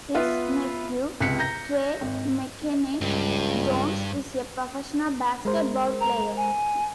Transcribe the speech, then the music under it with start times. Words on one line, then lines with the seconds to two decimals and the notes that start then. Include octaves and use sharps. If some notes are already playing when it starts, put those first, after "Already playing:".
His nephew, Trey McKinney-Jones, is a professional basketball player.
0.14 B3 F4 B4 E5 F5
1.20 C#2 C3 F#6 B6 C#7
1.38 A#5 G6 A#6
2.01 G#1
3.01 C#2 G2
5.45 G#3 A#4 C5
6.01 A#5
6.37 G#5